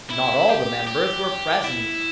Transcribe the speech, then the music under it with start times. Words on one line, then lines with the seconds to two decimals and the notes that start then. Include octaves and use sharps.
Not all the members were present.
0.11 E4
0.49 G4
0.87 G4
1.64 E4